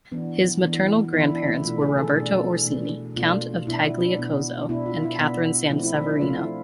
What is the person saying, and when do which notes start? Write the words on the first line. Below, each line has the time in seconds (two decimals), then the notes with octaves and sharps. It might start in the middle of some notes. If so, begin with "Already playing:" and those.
His maternal grandparents were Roberto Orsini, Count of Tagliacozzo and Catherine San Severino.
0.12 E3 B3 D4
0.62 E3 B3 D4
1.13 E3 B3 D4 E4
1.30 D4
1.47 E4
1.64 B2 A3 D4 F4
1.81 G#4
1.98 A4
2.14 B2 A3 D4
2.66 B2 A3 D4
3.16 B2 A3 D4 F4
3.67 B2 B3 D4 E4
3.84 E4
4.01 D4
4.18 B2 B3 D4
4.69 B2 B3 D4 E4
4.86 F4
5.03 E4
5.19 B2 B3 D4
5.70 F3 A3 C4 E4
5.83 E4
5.96 D4
6.08 E4
6.21 F3 A3 C4 F4
6.38 E4